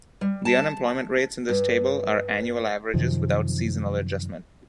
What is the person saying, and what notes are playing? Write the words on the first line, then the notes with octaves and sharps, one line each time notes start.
The unemployment rates in this table are annual averages without seasonal adjustment.
G3
A5
G2
F#2 C3 D#3 F3